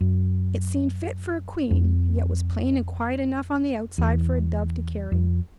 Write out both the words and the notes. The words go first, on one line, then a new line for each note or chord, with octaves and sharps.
It seemed fit for a queen, yet was plain and quiet enough on the outside for a dove to carry.
F#2
F2
E2
F2